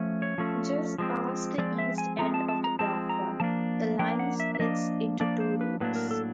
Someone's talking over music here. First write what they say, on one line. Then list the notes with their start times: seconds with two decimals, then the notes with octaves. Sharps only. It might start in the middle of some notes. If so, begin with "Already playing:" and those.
Just past the east end of the platform, the line splits into two routes.
Already playing: F3 A3 C#4
0.22 C#5
0.38 F3 A3 C#4
0.98 F3 G#3 C4
1.58 F3 G#3 C4 D5
1.78 E5
1.98 G#5
2.18 F3 G#3 C4 A#5
2.34 A5
2.48 A5
2.64 A#5
2.79 F3 G#3 C4 A5
3.09 A#5
3.40 F3 A#3 D4 A5
3.99 F3 A#3 D4 G5
4.19 F#5
4.40 E5
4.55 E5
4.59 F3 A#3 D4 D#5
5.20 F3 A#3 D4 D5
5.40 C5
5.61 B4
5.80 A2 F#3 A#3 D4 B4
5.96 A#4
6.11 A4